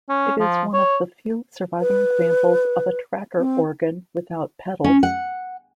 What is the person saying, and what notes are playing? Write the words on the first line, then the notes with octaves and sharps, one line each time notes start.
It is one of the few surviving examples of a tracker organ without pedals.
C#4
F3
C#5
B4
C4
C#4
F#5